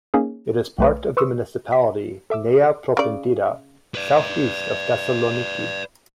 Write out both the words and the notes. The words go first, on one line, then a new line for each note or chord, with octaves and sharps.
It is part of the municipality Nea Propontida, southeast of Thessaloniki.
A#3 C#4 D#4 G#4
B1 A3 B4
B4 C6 C#6 D#6 E6
B6
A4 E5 D6 E6
C#3 D5
B4 D5